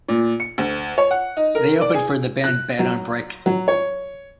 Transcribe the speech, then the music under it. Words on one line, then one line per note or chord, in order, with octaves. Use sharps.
They opened for the band Bed on Bricks.
A#2
C#7
D2
C#5
F#5
D#4
A#4
D5
G#4
F#6
F#3
F#3
C#5